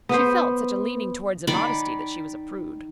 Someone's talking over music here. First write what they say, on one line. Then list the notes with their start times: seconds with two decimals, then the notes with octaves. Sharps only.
She felt such a leaning towards immodesty that she was a prude.
0.09 B3 B4 C5
1.47 D#3 D5 B5